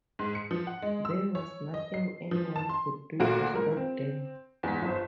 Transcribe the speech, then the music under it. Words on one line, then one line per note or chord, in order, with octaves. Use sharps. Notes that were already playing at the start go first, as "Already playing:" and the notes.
There was nothing anyone could do to stop them.
G#2
C#7
F3
F#5
G#3
E6
C#5
D#5
C7
F3
A5
C6
D2 A#2 A3 F#4 F5 D7
C#2 A#4
C4
E2 G#2 B6
G1 C5